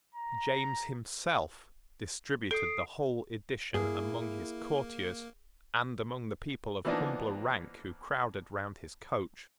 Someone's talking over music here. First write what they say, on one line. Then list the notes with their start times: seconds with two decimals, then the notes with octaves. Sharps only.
James himself distributed the whole edition among his courtiers and among the people of humbler rank who crowded round his coach.
0.15 A#5
2.51 A4 D#6 C7 D7
3.74 G2 A#3 E4 G#4
6.85 E3 F3 A#3 B3 D4 D#4